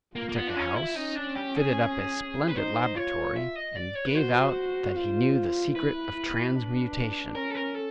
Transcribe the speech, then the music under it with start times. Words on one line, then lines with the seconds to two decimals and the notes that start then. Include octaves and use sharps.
He took a house, fitted up a splendid laboratory, and gave out that he knew the secret of transmutation.
0.16 A#3 F4
0.29 A#3
0.36 B3
0.48 D4
0.56 C#4
0.76 E4
0.96 C#4 D#4
1.16 D4
1.36 G4
1.56 G#4
2.48 B4
2.56 D#4 C5
2.95 F4 C#5
3.36 E5
3.55 D#5
3.76 D5
3.96 C#5
4.07 B4
4.15 F#4 C5
4.96 F4
5.75 E4 B4
6.15 E4
6.55 D4
7.35 C#4 A#4
7.50 A4
7.55 A#4
7.75 A4